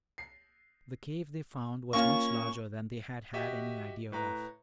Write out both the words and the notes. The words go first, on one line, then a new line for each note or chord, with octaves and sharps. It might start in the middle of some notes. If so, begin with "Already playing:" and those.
The cave they found was much larger than they had had any idea of.
C7
A#3 C#4 F4 C#6
F#4 G4 D#5 E5
A2 B4 A#5